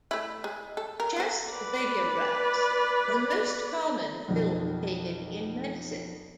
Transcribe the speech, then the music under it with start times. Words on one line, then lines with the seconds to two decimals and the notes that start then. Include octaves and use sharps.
Chest radiographs are the most common film taken in medicine.
0.11 A3 E4
0.44 G#3
0.77 A4
1.00 A#4
1.17 B3 C5
1.52 B4 D5
4.28 B1 F2